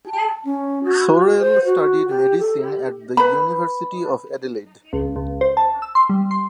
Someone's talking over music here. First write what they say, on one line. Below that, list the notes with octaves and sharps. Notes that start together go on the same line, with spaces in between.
Sorrell studied medicine at the University of Adelaide.
A5
C#4
F#4
C5
F#4
G4
A4
G4
B4 B5
C#2
C#2
C5
A5
E6
C6
G3
C6